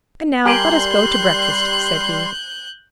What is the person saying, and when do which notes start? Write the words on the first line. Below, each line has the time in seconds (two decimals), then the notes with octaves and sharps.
"And now let us go to breakfast," said he.
0.46 G3 G4 A#4 G#5 C6 F#6 G6